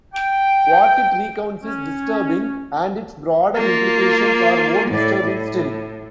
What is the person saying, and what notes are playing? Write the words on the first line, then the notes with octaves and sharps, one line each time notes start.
What it recounts is disturbing, and its broader implications are more disturbing still.
G5
C#4
A#3 F4
A2 D5
A2